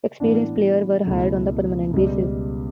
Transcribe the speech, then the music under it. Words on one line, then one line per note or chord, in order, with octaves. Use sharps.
Experienced players were hired on a permanent basis.
A2 E3 B3 D4
C#2 B2 A3 E4
C#2 B2 G3